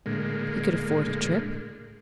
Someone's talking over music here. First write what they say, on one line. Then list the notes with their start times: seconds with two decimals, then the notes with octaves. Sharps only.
He could afford a trip.
0.06 A2 D3 G#3 A#3